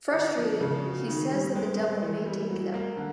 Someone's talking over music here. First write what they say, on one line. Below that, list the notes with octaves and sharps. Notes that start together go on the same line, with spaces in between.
Frustrated, he says that the devil may take them.
D3
F3
C#3
F#3
D#3
G3
G#3
C4
E3
G3
F#3
A#3
D3